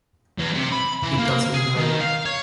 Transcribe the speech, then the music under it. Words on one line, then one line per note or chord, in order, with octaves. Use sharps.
He doesn't know.
E2
C3
B5
E3
A#3
G#4
D#3
F5
C#5